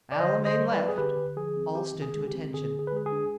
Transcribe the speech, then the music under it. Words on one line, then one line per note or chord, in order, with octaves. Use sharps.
"A la main left." All stood to attention.
D5
D3 C5 D#5
D3
C5 D#5
G3
B4 D5
B3
G#4
D3 G4 B4
D3
F3 G#4
C4
D#3 G4
D#3
G#4
G#3
G4
C4
D3 G#4
D3
G#4
B4
G#3 G#4
G#4
D4